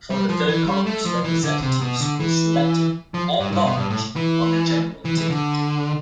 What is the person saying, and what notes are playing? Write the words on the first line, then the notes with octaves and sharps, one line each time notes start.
For the third Congress Representatives were selected At-large on a general ticket.
G3
F3
E3
G3
A3
F3
E3
D3
C3
B2
D3
E3
F3
G2
G2
B2
G2
A2
E3
E3
E3
D3